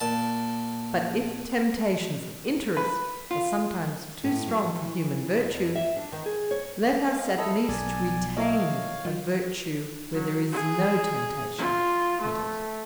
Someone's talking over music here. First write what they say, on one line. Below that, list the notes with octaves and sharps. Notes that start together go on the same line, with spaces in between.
But if temptations of interest are sometimes too strong for human virtue, let us at least retain a virtue where there is no temptation to quit it.
A#2 A5
B4
F4
A2
F#3
E3
F2
E5
D4
D#3
G#4
C#5
G#3 C#4 F5
E4 A4 A#4 D#5
B1 D5 G#5
E4 A4 C#5 D#5 F5
F#3 F4
F#3
G#4
F4
A3